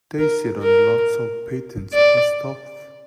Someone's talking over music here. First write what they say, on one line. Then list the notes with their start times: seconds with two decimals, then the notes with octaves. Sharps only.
They sit on lots of patents for stuff.
0.19 A#4
0.62 A#4
1.93 D5